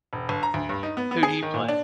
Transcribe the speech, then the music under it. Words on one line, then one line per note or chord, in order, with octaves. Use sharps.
Who do you play?
E1
G1
A#5
D2
G2
D#4
B3
B3
G#4
D#3
A#2
D4